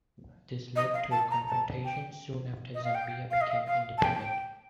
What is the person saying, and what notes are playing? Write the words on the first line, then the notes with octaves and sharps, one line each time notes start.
This led to a confrontation soon after Zambia became independent.
D#5
F5
A5
A#5
A5
G5
D#5
F5
G5
F5
D#5
F5
F5
A5
G5